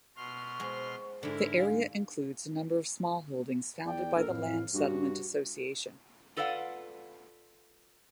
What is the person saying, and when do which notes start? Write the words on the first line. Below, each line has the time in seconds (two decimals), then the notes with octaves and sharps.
The area includes a number of smallholdings founded by the Land Settlement Association.
0.17 B2 C6 C#6 F6
0.60 G#3 C5 F#5
1.23 G#2 D3 E4 A4 A#4
1.56 G#3 G4 F5
3.85 E2 D5 G5
4.15 A#1 A4 A#4
4.29 F2 A2 F5
4.74 G2 F#4
6.37 F4 A4 B4 D5 F5 F#5